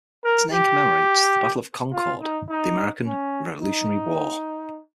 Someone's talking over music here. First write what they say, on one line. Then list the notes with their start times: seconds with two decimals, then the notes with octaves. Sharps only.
Its name commemorates the Battle of Concord of the American Revolutionary War.
0.24 A#4
0.52 G4
1.93 F4
2.21 D#4
2.49 D#4
3.06 C#4
3.62 D#4